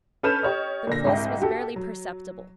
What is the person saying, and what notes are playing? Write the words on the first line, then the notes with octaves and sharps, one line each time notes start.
The pulse was barely perceptible.
C#4 A4 B4 F6 G6 E7
G4 C#5 D#5
A#2 D3 A#6
C2 G#2 G5
F#4 G4 A4
F#3